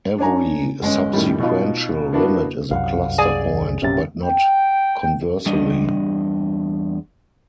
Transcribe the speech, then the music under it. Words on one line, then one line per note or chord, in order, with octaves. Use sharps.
Every subsequential limit is a cluster point, but not conversely.
D4 D#4 C#5 G#5 A#5
G1 G#3 C#4
F#2 A2 D#3 G3
B2 D#4 F4
A#3 B3 D4 E4 F#4
C2 F#2 F5 F#5
G#4 D5 G#5
A#1 F#2 C3 C#4 G4 A6
G5
E2 G3 D4 D#5